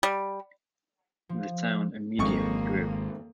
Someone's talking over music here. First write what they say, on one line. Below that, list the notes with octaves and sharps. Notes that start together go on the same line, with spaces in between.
The town immediately grew.
G3
F3
G#1 F2 G#3 A#3 C#6